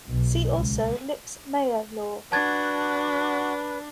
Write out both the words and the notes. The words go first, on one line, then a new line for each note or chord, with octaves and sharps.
See also: Lipps-Meyer law.
B1
C#2
D4 F#4 B4 F#5 A5 G#6 A6